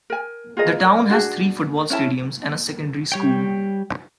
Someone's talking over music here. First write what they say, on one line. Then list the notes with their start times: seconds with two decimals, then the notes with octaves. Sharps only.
The town has three football stadiums and a secondary school.
0.10 A#4 G#5
0.57 F4 G#4 A#4 D#5
0.84 A#4 D5
1.09 D4 F#4 G#4
1.90 C#4 E4 A5
3.12 G3 C#5 G5